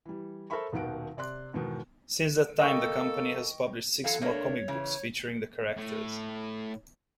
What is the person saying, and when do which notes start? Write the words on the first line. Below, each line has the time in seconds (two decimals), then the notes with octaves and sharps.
Since that time the company has published six more comic books featuring the characters.
0.06 E3 G3
0.50 A4 A#4 C5 E5 B5 C#6
0.72 D#1 B2 D#3 F#5 D7
1.17 C3 D5 C6 F#6
1.53 E2 G#2 B2 D#3
2.59 A#3 A4 D#5 G5 C#6
4.04 E3 F#3 A4 F5
4.21 A3 A#3 D4 C#5
4.68 C#3 E3
5.78 A2